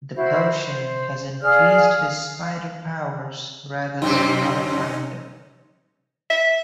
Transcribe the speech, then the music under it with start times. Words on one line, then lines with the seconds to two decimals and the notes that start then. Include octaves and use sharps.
The potion has increased his spider powers rather than nullifying them.
0.15 E4 F#4 C5
0.60 C5
1.42 G#4 D5 F5 F6
2.02 F5
4.02 F#2 C3 C#4 D#4 G4
6.30 E5